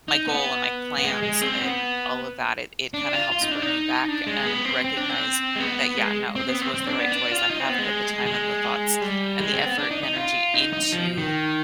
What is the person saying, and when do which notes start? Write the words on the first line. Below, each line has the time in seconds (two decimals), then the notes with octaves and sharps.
my goal, and my plans, and all of that, it it kinda helps bring me back and recognize that, "Yeah, no, this was the right choice. I have put the time, and the thoughts, and the effort, and energy into"
0.08 D#4
0.28 B3
0.98 B3
1.04 G#3
1.23 G#3
1.42 C4
1.61 B3
2.94 D4
3.13 F4
3.32 F4
3.41 D#4
3.51 D4
3.62 D#4
4.08 D4
4.27 G#3
4.46 B3
4.65 C4
4.84 C4
4.97 D4
5.09 C4
5.56 G#3
5.60 B3
5.98 G#3
6.36 C4
6.48 B3
6.62 C4
6.74 C4
6.87 D4
6.99 B3
7.12 D4
7.31 F4
7.50 D#4
7.60 C4
7.69 B3
7.79 G#3
8.26 G#3
9.01 G3
9.40 G#3
9.53 C4
9.66 B3
9.78 D4
9.91 D#4
10.03 D#4
10.16 F4
10.54 D#4
10.73 D#4
10.92 F3
11.18 D#3